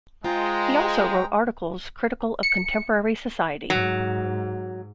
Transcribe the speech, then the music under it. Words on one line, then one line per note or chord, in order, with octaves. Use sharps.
He also wrote articles critical of contemporary society.
G#3 F4 C5 G5 A#5
C#7
G#2 F#3